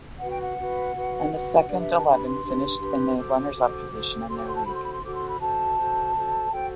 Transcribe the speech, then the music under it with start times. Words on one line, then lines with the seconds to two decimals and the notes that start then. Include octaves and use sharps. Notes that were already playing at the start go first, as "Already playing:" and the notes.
And the Second Eleven finished in the runners up position in their league.
0.20 F#4 B4 F#5
0.30 G5
0.41 F#5
0.58 F#4 B4
0.94 F#4 B4
1.32 F#4 B4
1.69 D4 G4 B4 D5
1.78 E5
1.96 A5
2.06 D4 G4 B4 B5
2.24 C6
2.43 D4 G4 B4
2.80 D4 G4 B4
3.17 F#4 A4 C5 D6
3.54 F#4 A4 C5
3.91 F#4 A4 C5
4.28 F#4 A4 C5 C6
4.37 D6
4.48 C6
4.57 A5
4.66 F#4 A4 C5 B5
4.74 C6
4.84 B5
4.93 C6
5.02 F#4 A4 C5 D6
5.15 C6
5.28 B5
5.40 F#4 A4 C5 A5
5.77 F#4 A4 C5
6.14 F#4 A4 C5
6.51 F#4 A4 C5 G5